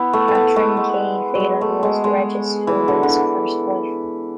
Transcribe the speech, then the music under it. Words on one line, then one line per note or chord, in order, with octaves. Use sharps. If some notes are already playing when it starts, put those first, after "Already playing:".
Catherine "Kay" Faylen was Regis Philbin's first wife.
Already playing: B3 E4
A3
A3
B3
A3
G#3
F#3 G#3
A3
G#3
G#3
E3
D3
D3
E3